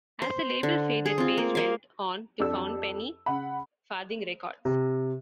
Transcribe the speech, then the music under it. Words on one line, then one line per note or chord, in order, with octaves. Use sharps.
As the label faded, Page went on to found Penny Farthing Records.
C5
D3
G#4
C4 F4
A#3
A#3 F5
F2 D4 G4 A4 E6
C#3 F#5 B5
C3